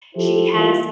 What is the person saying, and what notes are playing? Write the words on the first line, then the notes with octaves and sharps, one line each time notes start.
She has
F3 E4 G4 A4 C5
E3 G3 A#3 E4 F4